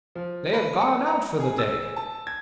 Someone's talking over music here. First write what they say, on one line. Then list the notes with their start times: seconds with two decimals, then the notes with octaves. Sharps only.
They have gone out for the day.'
0.15 F3
0.53 B4
0.80 C#7
1.07 A#5
1.40 G#4
1.58 E6
1.96 A5
2.27 G#6